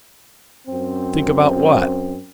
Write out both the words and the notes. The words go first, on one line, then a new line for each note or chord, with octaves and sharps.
"Think about what?"
F#2 C4